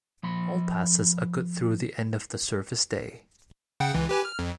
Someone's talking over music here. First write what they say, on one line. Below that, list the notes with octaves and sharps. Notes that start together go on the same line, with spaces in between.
All passes are good through the end of the service day.
F3 B5 C6
C#3 F#5 G5
C#2 E3
G4 B4 G#5
F6
F2